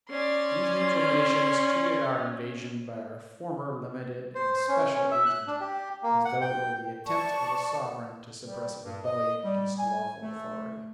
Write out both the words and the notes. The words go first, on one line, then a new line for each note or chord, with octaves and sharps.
These neutral nations treated our invasion by our former limited and special agent as though it were the attempt of a sovereign to suppress a rebellion against lawful authority.
C#4 D5 C6
C5
C5
C#4
C#4
E5
F#6
D4
G4
A#3
F#5
G5
D5 A5 C#6
G3
G2
D#5
G3
G#5
A3